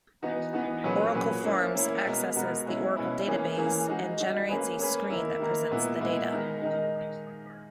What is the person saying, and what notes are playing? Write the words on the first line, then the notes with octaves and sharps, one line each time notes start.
Oracle Forms accesses the Oracle database and generates a screen that presents the data.
E3 B3 D#4 F#4
E3 B3 D#4 F#4
A#2 F#3 C#4 G#4 B4
A#2 F#3 C#4 G#4 B4
A#3 C#4 E4
A#3 C#4 E4
B2 G#3 B3 F#4 A#4
B2 G#3 B3 F#4 A#4
B2 G#3 C#4 E4
B2 G#3 C#4 E4
E3 A#3 C#4 G#4
E3 A#3 C#4 G#4
G#3 D#4 F#4
G#3 D#4 F#4
A#3 C#4 G#4 B4
A#3 C#4 G#4 B4
D#3 A#3 E4 A#4
D#3 A#3 E4 A#4
A#2 G#3 B3 E4
A#2 G#3 B3 E4
D#3 G#3 D#4 A#4
D#3 G#3 D#4 A#4